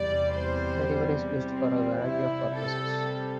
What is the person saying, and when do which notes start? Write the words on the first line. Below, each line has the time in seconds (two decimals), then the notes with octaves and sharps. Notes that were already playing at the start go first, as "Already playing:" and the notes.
The river is used for a variety of purposes.
Already playing: E2 C3 G3 D5
0.33 C5
1.44 C4
1.99 C3 G3 E4
2.55 A4